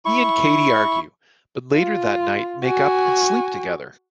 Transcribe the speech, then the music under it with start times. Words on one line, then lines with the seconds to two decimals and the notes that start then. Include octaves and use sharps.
He and Katie argue, but later that night make up and sleep together.
0.05 E4 C#6
1.75 F4
2.64 F#4 G#5